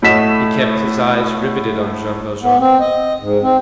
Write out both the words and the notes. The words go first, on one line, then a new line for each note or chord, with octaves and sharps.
He kept his eyes riveted on Jean Valjean.
A2 A3 F#4 D#5 B6 E7
B3
C4
D#5
G#2
C4